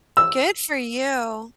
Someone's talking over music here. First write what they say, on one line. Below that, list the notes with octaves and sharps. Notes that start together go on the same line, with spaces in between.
Good for you.
E6